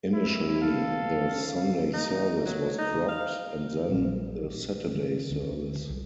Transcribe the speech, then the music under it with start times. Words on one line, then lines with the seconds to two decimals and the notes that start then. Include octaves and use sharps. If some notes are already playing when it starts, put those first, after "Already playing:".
Initially, the Sunday service was dropped, and then the Saturday service.
0.13 E4
0.62 B1 A4 F5
1.31 C#3
1.94 D#4
2.45 F#3
2.78 D#4
3.08 F5
3.89 A#1 A#2 F#3 G3
4.95 D#3 G#3
5.30 D2 C4 C#4
5.51 D2
5.90 C2